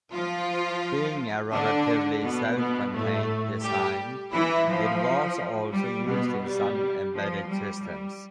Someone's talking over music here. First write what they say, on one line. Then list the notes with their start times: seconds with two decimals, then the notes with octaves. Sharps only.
Being a relatively self-contained design, it was also used in some embedded systems.
0.12 F3 F4
1.52 D3 D4
2.23 B2 B3
2.57 B2 B3
2.92 A2 A3
3.62 G3 G4
4.32 E3 E4
4.68 F3
5.73 G3
6.07 B2 B3
6.42 G3
7.14 F3
7.48 G3
7.83 G3